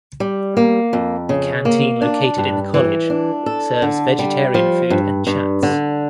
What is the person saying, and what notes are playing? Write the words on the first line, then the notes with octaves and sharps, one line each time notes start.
The canteen located in the college serves vegetarian food and chats.
G3
A#3
F2
C#3
A#3
D4
G2
E3
D4
A4
D3
G3
F3
G2
G2
D3